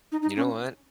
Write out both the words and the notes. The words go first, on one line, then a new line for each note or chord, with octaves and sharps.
You know what?
D#4
D#4
C#4